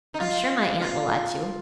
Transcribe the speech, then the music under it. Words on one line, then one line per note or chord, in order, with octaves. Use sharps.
"I'm sure my aunt will let you."
D#4
F4
F4